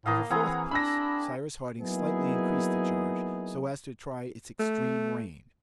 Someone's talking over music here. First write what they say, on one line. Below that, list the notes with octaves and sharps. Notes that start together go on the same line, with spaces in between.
For the fourth piece Cyrus Harding slightly increased the charge, so as to try its extreme range.
A2 A#3 D#5 F5
E3 C4 E4 G#4 F#5 A#5
D4 B5 E6 A#6
F#3 A#3 B3 D#4 E4 G#4
A3